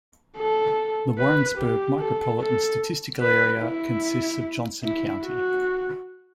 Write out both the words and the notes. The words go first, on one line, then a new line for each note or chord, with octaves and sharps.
The Warrensburg Micropolitan Statistical Area consists of Johnson County.
A4
B4
G4
A4
A4
B4
E4
E4
F#4